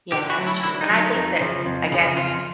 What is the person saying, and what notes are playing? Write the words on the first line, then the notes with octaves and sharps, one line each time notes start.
Yeah, that's true. And I think that, I guess,
D3 G4
F#4
F#3 A3 C#4
E4
D3 E4
D#4
F#3 A3 C#4
D#4
F2
C#3 F3
F2
C#3 F3
F2 F4